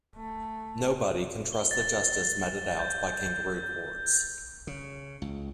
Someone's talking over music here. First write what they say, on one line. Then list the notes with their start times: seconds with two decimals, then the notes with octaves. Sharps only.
Nobody can trust the justice meted out by kangaroo courts.
0.15 A3
1.53 G7
1.71 A6
2.40 G7
2.79 G6
3.54 G6
4.67 C#3
5.22 C#2